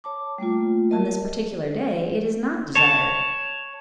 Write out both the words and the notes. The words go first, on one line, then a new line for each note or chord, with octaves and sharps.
On this particular day it is not desired.
C#5 A5 D6
G3 A3 A#3 F4
A#4 D#5 E5 A5
C#5 A5